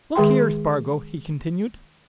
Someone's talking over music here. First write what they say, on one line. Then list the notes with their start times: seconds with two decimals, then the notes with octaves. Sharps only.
"Look here, Spargo," he continued.
0.15 D#3 G#3 G#4 G5 C6